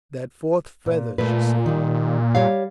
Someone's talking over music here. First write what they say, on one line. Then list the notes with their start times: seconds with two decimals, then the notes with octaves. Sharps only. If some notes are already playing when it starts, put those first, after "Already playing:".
"That fourth feather," she said.
0.86 A#2
1.18 A#2 A3 B4
1.66 D#3 G3
2.35 G3 C#5 F5